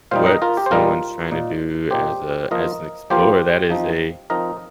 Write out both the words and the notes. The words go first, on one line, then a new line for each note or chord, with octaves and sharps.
what someone's trying to do as a as an explorer, that is a
A#2 G3 D#4 C5 F5
A#4 D#5
F4 A#4
G4
C5
A#2 G3 D#4 F4 A#4
A#2 A#3 D#4
A#2 A#3 D#4 G4 C5
F3 A#3 F4 A#4 D#5
F3 A#3 F4 G4 C5
F3 C4 D#4
F3 C4 D#4 A#4 D#5